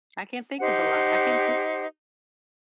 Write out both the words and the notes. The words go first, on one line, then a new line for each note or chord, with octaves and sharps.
I can't think of a lot. I can't think.
D#4 G4 C5 F#5